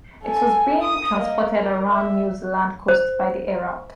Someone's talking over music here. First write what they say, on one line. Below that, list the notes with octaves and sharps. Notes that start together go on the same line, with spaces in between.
It was being transported around the New Zealand coast by the Herald.
A4 G#5
D#6
A#3 D#5
A#4
E5
C5